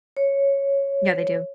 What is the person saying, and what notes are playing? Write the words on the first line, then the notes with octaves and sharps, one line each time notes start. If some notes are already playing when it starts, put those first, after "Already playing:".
Yeah they do.
C#5